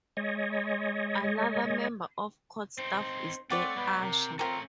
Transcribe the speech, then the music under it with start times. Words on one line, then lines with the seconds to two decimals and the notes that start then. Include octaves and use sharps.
Another member of court staff is the usher.
0.17 G#3 C#5 D#5
2.78 C4 D#4 C5
3.50 A3 C4 C#5 D5 F#5
3.76 G3 G#3 B3
4.02 C3 A#4
4.39 A3 C4 C#4 F4 G4 A#4